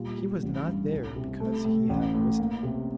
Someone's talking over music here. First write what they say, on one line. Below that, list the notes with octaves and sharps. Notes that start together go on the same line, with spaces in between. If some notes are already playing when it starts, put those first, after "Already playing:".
He was not there because he had risen.
Already playing: A#2 G3
G3
A1
G2
C2
C3
A3
A2
A1
A2
A#3
C3